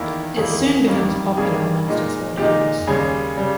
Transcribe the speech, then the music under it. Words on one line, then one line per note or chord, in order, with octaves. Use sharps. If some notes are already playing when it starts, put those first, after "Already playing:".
It soon became popular amongst its audience.
Already playing: E2 D#3 A#3 E4
E2 D#3 A#3 E4 G#4
G2 D#3 G3 A#3
G2 D#3 G3 A#3 G#4
A#2 G#3 D#4
A#2 G#3 D#4 G4
D#2 C#3 G3 G#4
C#3 G3